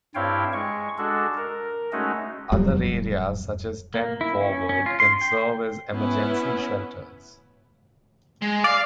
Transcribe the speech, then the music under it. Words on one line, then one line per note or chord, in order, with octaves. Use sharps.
Other areas, such as Ten Forward, can serve as emergency shelters.
G2 C4 E4 C#5 F5 G5
G#3 C#6
G#3 D4 F#4 A4
A#4
G#3 A3 C#4 D#4 F#4
D1 F2 F#3 G3
A#3
E4
C#4
C#4
F4
C6
G5
B3 C#4 E4
G#3
D5 F5